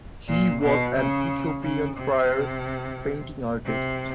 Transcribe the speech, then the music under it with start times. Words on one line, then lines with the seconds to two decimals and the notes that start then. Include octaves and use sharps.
He was an Ethiopian prior Painting Artist.
0.28 A#2
0.62 B2
0.96 C#3
1.63 C#3
1.97 C3
3.65 C3